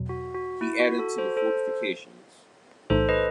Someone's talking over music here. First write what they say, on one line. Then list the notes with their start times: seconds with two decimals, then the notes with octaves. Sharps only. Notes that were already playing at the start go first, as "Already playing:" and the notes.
He added to the fortifications.
Already playing: E2 B2 F#3
0.09 F#4
0.35 F#4
0.61 E4
0.80 F#4
0.99 F#4 A4
1.18 A4 C5
1.37 A4 C5
2.90 B1 A2 E3 A3 D#4 A4 C5
3.09 B4 D#5